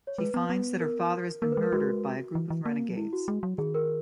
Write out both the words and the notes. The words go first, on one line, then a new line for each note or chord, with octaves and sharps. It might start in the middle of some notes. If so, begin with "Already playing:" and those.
She finds that her father has been murdered by a group of renegades.
C#5
G#3 B4
B3
B3
A#4
A#3 A#4
B4
G#3
A#4
G#3 F#4
E3
E3
A#3
F#3
G#3 E4
F#4
G#3
F#3
D#3 G#4
A#4